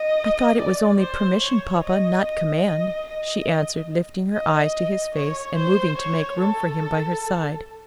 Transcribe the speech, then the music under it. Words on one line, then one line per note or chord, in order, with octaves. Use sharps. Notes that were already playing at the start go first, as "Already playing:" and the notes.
"I thought it was only permission, papa, not command," she answered, lifting her eyes to his face, and moving to make room for him by her side.
Already playing: D#5
D5
C5
C#5
D#5
D#5
D#5
D#5
D#5
C#5
C5
C#5
A4